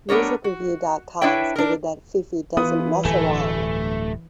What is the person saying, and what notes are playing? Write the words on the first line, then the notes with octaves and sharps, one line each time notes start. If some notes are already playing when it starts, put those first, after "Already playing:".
Music-Review dot com stated that Fefe doesn't mess around.
G3 B3 D4 A#4 C#5
F#4
D4 E4 B4 C#5 E5 G5
D4 A#4
E3 B3 F4 B4 D#6
D1 G2 A3 G#5